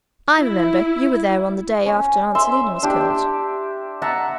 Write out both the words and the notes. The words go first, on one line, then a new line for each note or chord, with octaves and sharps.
"I remember; you were there on the day after Aunt Selina was killed."
E4
C#4
E5 C6
D4 G4
E5 F#5 A5 A#5